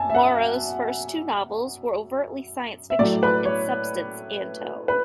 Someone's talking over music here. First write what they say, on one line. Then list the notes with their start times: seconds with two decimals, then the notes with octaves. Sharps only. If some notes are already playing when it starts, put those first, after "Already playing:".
Morrow's first two novels were overtly science-fictional in substance and tone.
Already playing: F#2 G#5 A5
0.10 E5
0.15 F#5
2.90 E5
2.99 A2 F#3 A3 D5
3.23 B4
3.45 C#5
4.88 B4